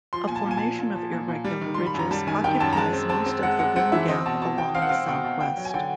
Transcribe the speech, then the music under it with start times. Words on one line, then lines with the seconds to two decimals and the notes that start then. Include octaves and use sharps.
A formation of irregular ridges occupies most of the rim gap along the southwest.
0.13 F3 C6
0.28 A#2 G#5
0.36 A5
0.46 A#2
0.51 G#5
0.57 A5
0.63 F3
0.79 A#2
0.96 F3
1.12 A#2
1.28 A#2
1.44 G3
1.62 D#3
1.74 G3 C6
1.86 B5
1.94 F#2 A#5
2.11 G3 A5
2.27 D#3 G#5
2.44 D#3 G5
2.60 F#2 A5
2.73 A#5
2.76 G#3 A5
2.93 C4
3.09 C4 A5
3.26 C4
3.43 G#3 F#5
3.59 G#3 F#5
3.76 C4 F#5
3.92 E3 E5
4.08 C4 D#5
4.26 B2 A5
4.42 B2 A5
4.58 B2 G5
4.75 C4 F5
4.82 F#5
4.89 C4 F5
5.08 B2 G5
5.24 B2
5.40 B3 G5
5.57 F#3
5.65 G#5
5.74 D3 G5